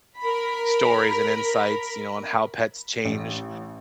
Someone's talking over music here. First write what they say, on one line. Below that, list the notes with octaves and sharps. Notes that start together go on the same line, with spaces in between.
stories and insights, you know, on how pets change
A#4 B5
A1